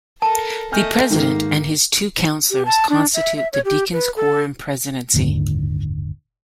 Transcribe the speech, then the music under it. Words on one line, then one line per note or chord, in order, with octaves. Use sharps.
The president and his two counselors constitute the deacons quorum presidency.
A4 A#4 A5
A3 D#5 G#5 F6 G6
G#2 D#3 A#3 D#4
G4
A5
D4
E5
E5
C#5
G4
B4
A4
F#1 D#2 G#2 D3